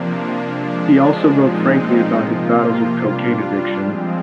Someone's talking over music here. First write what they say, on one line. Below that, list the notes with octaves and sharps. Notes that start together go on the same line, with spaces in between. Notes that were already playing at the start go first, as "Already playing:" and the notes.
He also wrote frankly about his battles with cocaine addiction.
Already playing: C3 F3 A#3 D4
F3 G#3 D4
A#2 F3 G#3 C4 D#4
C3 F3 A#3 F4
G3 D4 F4
F3 G#3 C4